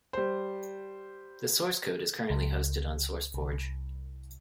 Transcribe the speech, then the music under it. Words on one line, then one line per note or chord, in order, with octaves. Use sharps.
The source code is currently hosted on SourceForge.
G3 C5
C#2
C2